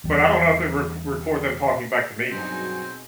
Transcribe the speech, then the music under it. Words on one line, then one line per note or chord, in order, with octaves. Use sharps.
but I don't know if it rec record them talking back to me.
E2 G3
G2 B2 F#3 C4 D#4 G#4